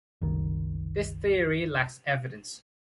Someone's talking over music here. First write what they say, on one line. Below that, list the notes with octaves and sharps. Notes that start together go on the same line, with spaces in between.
This theory lacks evidence.
F#1 C2 D#3